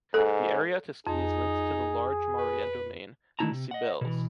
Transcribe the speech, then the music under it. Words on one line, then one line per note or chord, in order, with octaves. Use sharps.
The area to ski is linked to the large Maurienne domain, the Sybelles.
G#2 A4
F2 D#4 G#4
B4
D#3 A3 D4 E4 A5 A#5
C3
D#5 F#5
B2 E3